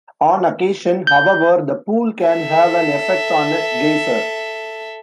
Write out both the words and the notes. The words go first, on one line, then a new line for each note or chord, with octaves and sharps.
On occasion, however, the pool can have an effect on a geyser.
G6
A4 E5